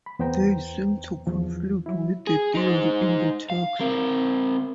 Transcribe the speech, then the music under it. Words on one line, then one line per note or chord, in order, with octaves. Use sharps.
They seem to conflict with the theory in the text.
B5
E2 B3 C5 G5 A#5
E2 F3
F#3 E4
G#4
D#4 C5
F5
C4 A#4